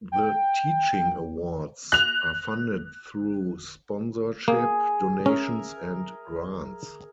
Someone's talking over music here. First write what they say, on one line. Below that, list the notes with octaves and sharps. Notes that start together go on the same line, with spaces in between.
The Teaching Awards are funded through sponsorship, donations and grants.
G5
F#6 F7
A#3 G#4
C#4 A#4 E5